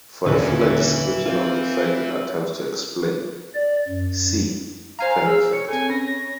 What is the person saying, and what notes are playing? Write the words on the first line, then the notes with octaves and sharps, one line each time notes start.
For a fuller description of the fact it attempts to explain see: Penn effect.
D#2 A#2 D3 C#4 B4 E5
C4 F4
D5
F#2
C5 F5 G#5 A#5
G#4 E6
C#5 C#7
C4 A4 G#5
C#4 A#6